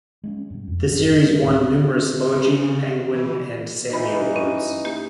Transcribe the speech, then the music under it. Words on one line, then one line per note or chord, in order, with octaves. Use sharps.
The series won numerous Logie, Penguin and Sammy Awards.
G#3 C4 C#4
G2 B2
F2
A1 F#2 E3
D#3 G#3
D2 A2 C#3 A3
C#3
E3
E3 D#4 C5 B5
C#4
A#3 G4